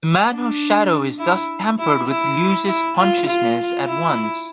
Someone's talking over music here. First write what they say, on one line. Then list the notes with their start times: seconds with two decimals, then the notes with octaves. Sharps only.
The man whose shadow is thus tampered with loses consciousness at once.
0.31 D4
1.19 E4
1.78 E4
2.08 E4
2.67 E4
2.97 F4
3.26 F4
3.86 E4